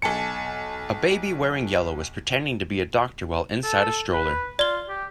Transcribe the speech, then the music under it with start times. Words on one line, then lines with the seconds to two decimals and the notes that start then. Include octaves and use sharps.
A baby wearing yellow is pretending to be a doctor while inside a stroller.
0.02 B1 G#5 A5 C#7
3.63 A4
4.13 B4
4.59 F4 D5 G7
4.89 G4